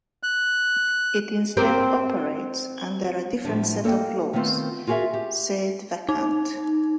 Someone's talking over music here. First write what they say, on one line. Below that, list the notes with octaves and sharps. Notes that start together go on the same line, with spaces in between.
It instead operates under a different set of laws "sede vacante".
F#6
C4 G4 A#4
A2 F3 G3 D4
A#3 A4 C5 D#5 G5
D#3 A3 B3 C4 F4
F4 F#4 G#4 A#4 E5
G4
D#4